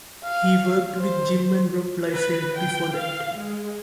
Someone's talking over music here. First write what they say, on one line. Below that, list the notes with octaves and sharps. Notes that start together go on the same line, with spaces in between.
He worked with Jim and Rob Liefeld before that.
F5
C5
B4
G5
F5
G#3